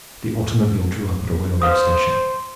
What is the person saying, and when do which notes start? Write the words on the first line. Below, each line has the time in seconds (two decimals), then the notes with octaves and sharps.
The automobile drew up at a railroad station.
1.62 B4 C5 F5 D#6